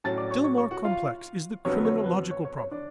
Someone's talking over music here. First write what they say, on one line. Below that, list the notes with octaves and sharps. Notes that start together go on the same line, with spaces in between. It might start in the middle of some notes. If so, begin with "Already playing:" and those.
Still more complex is the criminological problem.
A2 F#3 C#4 A5 A6
D5 D6
C#5 C#6
C#5 C#6
C#5 C#6
F#4 F#5
F4 F5
F2 D3 F#3 B3 C#5
C#5
B4
C#5
C#5
C#5
D4 D5